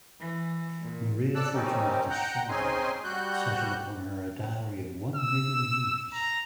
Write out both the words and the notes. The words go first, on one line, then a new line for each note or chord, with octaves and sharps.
Maria Fortunata's father settled upon her a dowry of one million "livres".
E3
A#2
A4 D5 E6 F#6
D#3 G3 C4 C#4 D#4
F#5 G5 A#5 F#6 G6
C4 C#4 D#4 G#4 G#5 C6
G3 F#4 F#6 G6
E6
A#5